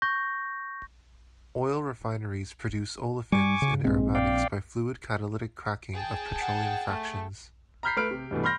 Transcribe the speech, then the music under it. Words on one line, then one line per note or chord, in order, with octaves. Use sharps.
Oil refineries produce olefins and aromatics by fluid catalytic cracking of petroleum fractions.
C#6 G6 A#6
G3 G#5 C#6 D6
C#3
A#1 G#2 G#3 C4
D5 F5 G5
G#4 G5 A5
F#5
A3
A#5 B5 F6 G6 B6 C7
A3 B4 F6 D7
C3
G2 B2 E3 A3
B5 C6 F6 G6 A#6